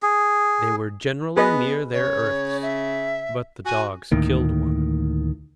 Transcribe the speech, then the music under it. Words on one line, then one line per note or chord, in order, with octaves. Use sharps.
They were generally near their earths, but the dogs killed one.
G#4
B3 G#4 B4 D#5
C#3 C#5
E5
F#4 G#5
D2 A2 D#3 A#3